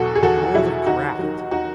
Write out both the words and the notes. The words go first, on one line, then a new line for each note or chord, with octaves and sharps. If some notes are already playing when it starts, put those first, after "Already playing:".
The world of graft!
Already playing: E2 B2 F#3 F#4 A4
G#4
E2 F#4 A4
F#4
B2 F#3 E4 G#4
D#2 D#4 F#4
D#3 F#3
D#4 F#4